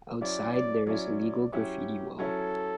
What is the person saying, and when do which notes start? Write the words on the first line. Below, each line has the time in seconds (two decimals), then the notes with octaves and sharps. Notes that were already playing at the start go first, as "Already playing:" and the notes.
Outside, there is a legal graffiti wall.
0.21 F#3 C#4 E4 D5
0.54 D5
0.86 F#3 C#4 E4 D5
1.20 D5
1.53 F#3 C#4 E4 G4
2.18 F#3 C#4 E4 A4